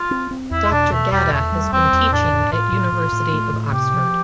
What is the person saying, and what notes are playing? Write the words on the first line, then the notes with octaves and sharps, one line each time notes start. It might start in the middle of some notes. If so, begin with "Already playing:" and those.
Dr Gada has been teaching at University of Oxford.
Already playing: F4
C4
C4
E2 E4
B2 D4
B2 A3
E2 G3
E2 A3
G3
E2 C4
E2
A2 D4
A2
A2 F4
A2
A2
A2
A3
A2
C3 G4
F3